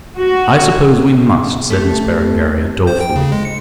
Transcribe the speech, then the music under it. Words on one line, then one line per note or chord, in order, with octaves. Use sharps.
"I suppose we must," said Miss Berengaria, dolefully.
F#4
A3 G4
C5
G5
C#3
G#3
C#7